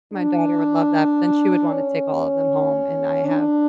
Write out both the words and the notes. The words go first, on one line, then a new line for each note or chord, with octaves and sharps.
My daughter would love that, but then she would wanna take all of them home, and I have
D4
C#4
D4